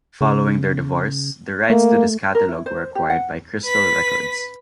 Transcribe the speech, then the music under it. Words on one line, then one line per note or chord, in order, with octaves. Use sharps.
Following their divorce, the rights to this catalog were acquired by Crystal Records.
C#3
A3 A#3
A#4
E4
C5
G4
F#5
B4 B6